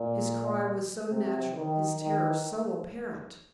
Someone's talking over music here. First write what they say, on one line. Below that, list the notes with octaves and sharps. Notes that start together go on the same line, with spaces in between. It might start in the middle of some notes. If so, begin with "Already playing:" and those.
His cry was so natural, his terror so apparent!
Already playing: A#2
C3
D#3
D#3